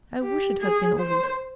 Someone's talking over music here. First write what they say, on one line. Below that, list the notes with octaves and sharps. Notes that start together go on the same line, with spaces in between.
I wish it had been all.
G4
G#4
C5